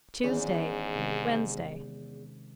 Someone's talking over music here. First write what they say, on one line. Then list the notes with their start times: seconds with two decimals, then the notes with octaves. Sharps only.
Tuesday, Wednesday.
0.24 E2 G#2 D#3 C#4
0.95 C3 D#3 G#3